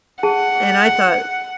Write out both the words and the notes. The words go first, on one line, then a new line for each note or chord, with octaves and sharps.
and I thought,
G#4 F#5 A5